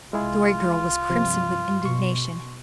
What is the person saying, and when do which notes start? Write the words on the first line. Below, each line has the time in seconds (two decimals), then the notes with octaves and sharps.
The Story Girl was crimson with indignation.
0.13 C2 G#3 E4 F4 G#4
1.10 G2 C3 F3
1.82 B2 C6 C#6